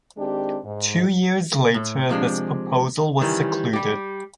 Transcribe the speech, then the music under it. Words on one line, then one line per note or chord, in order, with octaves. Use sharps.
Two years later this proposal was secluded.
D#3 G#3 C4 D4 G4
G#2
A2
C3 F3 G#3 D4
D#3 E3 G3 C#4
G3 G4